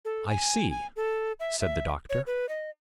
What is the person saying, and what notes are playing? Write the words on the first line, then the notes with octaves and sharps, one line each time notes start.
"I see," said the doctor.
A4
G#5
G#5
A4
E5
E5
C#5
B4
D#5